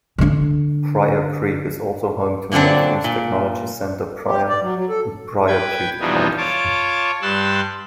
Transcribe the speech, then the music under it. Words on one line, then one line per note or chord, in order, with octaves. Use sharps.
Pryor Creek is also home to Northeast Technology Center-Pryor and Pryor Beauty College.
D3 D4
A#2 D3 F#3 C4 D4
A#2
G4
D5
F#3
F#3
A4
B4 G5 G#6
B2 E3 F3 G3 D4 D#4
F4 C#5 A5 D6
G2 G3 A5 C6 E6 F#6